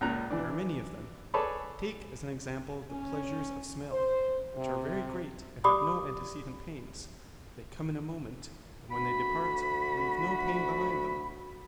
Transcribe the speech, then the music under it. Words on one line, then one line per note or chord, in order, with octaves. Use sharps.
There are many of them: take as an example the pleasures of smell, which are very great and have no antecedent pains; they come in a moment, and when they depart leave no pain behind them.
C#2 A#2 A#5 F#6
E3 D4
G#4 A4 B4 C#5 D5 A5
C#4
C5
C3
G4 D5 B5 D6 D#6
D2 F#4 B5